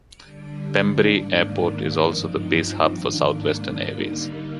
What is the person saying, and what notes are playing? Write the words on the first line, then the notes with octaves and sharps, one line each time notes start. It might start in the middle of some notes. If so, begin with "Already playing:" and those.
Pembrey Airport is also the base hub for South Western Airways.
D3 G3 D4
G#2 D#3 A#3 D4
G2 F3 C4 D#4
G#2 D#3 A#3 D4
D3 G3 A#3 D#4